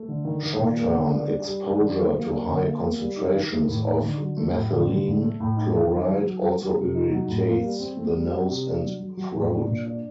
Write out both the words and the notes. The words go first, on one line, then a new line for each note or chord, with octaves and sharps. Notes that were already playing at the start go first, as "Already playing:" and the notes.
Short-term exposure to high concentrations of methylene chloride also irritates the nose and throat.
Already playing: A3
D3
D#3
D#3
A#2
A#3
D3
D4
G3
G3
D4
D#3
F#3
A#3
D4
D3
A#3
A#3
G3
D#4
D#3
D#3
A2
D#4
D3
F#3
A3
A2
D3
D3
A2
A3
A2
D#4
D#3
F#3
F#3
F#3
F#3
F#3
C3
D#4
F#3
A2
A#3
G3
C4
A3
G3
C4
C3
D4
F#3
F#3
F#3
A2
D4
A#2
D4